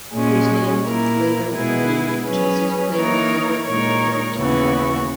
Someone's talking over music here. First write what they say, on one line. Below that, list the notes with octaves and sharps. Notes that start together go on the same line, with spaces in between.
He was named later named Chelsea's Player of the Year for the third time.
A#2 G#3 C#4
A#2 A#3 E4 A#4
B2 G#3 B3 E4 G#4
F#3 C#4 G#4 B4
E3 A#3 D#4 A#4 C#5
A#2 G#3 D#4 A#4 C#5
D#2 C#3 E3 B3 F#4